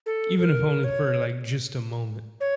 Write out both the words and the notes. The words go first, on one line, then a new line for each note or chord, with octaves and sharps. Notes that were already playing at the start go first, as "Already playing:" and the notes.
Even if only for, like, just a moment.
A4
A4
A#4
C#5
C#5